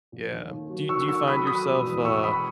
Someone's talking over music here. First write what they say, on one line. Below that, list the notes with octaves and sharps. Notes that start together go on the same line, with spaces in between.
Yeah, do do you find yourself, uh,
A#1
D#2
D#3
F#3
D#3 C#6 E6
D#3 C#6 E6
F#3 B5 D#6
F#3 B5 D#6
E1
E2
E1 C#6 E6
E1 B5 D#6